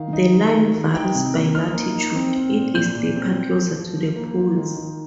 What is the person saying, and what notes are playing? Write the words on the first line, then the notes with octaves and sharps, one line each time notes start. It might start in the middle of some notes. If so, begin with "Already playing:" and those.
The line varies by latitude, it is deeper closer to the poles.
Already playing: D#3 F5
D#4
D#3
D#3
D#3
D#4 G5
C3
A#3
D#4 F6
A#3
D#4
C4
C4
A#2
A#2 G6
A#2
C4
F3
F3
F3
F3
A#3
F4
D#3
D#3